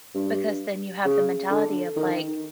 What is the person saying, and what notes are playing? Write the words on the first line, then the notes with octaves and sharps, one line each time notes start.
because then you have the mentality of like,
G2
C#3
D3
D#3